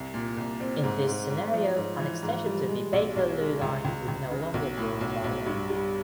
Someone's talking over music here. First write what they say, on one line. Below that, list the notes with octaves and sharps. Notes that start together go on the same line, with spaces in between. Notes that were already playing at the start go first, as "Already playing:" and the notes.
In this scenario, an extension to the Bakerloo line would no longer be required.
Already playing: C2
A#2
C2
C4
G#2
G#2
G#2
F3
G#2
E3
G#2
G3
G#3
B1
B1
G#3
C#2
C#2
C#2
C#3
B1
A2
B1
B1
G2
G3